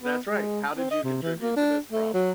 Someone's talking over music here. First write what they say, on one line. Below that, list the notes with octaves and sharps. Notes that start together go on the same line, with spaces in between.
That's right. How did you contribute to this problem?
B3
G#3
C4
D#5
C3
E3
A#3
D4
A3
F#3